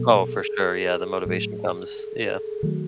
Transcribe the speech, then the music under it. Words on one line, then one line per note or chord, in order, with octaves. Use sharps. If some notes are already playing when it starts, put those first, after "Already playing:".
I oh, for sure, yeah. The motivation comes, yeah.
Already playing: B2 F#3 A#3 A4
G#4
G#4
A2 F#3 A3
A4
A4
A4
G#4
D#3 F#3 A3 F#4